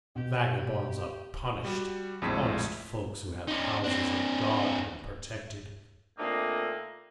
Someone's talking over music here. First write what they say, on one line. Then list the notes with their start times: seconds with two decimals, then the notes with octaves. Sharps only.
Vagabonds are punished, honest folks who have houses are guarded and protected.
0.16 B2 G4
1.65 G3 F#4
2.22 A#1 F2 A2 G#3 E6 B6
3.48 C#4 D#4
3.84 C4 D4
6.19 A#2 A3 A#3 C4 D4 D#4